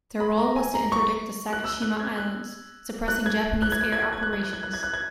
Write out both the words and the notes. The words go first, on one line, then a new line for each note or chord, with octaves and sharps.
Their role was to interdict the Sakishima Islands, suppressing Japanese air operations.
B5
A#5
G#5
A#5
C#6
F#6
E6
F#6
G#6
F#6
F#6
G#6
F#6
G#6
F#6
G#6
F#6
G#6
F#6
G#6
F#6
G#6
F#6
G#6
F#6
G#6